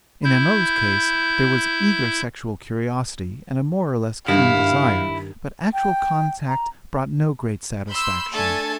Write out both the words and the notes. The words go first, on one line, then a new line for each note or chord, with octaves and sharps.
In M.O.'s case there was eager sexual curiosity, and a more or less keen desire, but actual contact brought no great satisfaction.
E4 G6
G2 D#3 E4 F5
G5
A#5
B5 C6 E6 G6
A3 D4 A4 G#5 A6